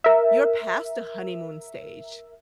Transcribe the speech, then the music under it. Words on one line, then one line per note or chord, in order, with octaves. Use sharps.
you're past the honeymoon stage.
A#4 E5